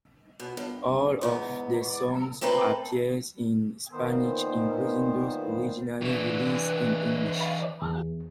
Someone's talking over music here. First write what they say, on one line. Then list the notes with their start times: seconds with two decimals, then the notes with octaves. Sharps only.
All of the songs appear in Spanish, including those originally released in English.
0.40 B2
0.57 G2
1.21 E2 G#2 B3
2.41 A3 A#3 C4 A4 B4
3.92 A#2 D#3 B3 C5
6.01 E3 D4 B4
7.82 E2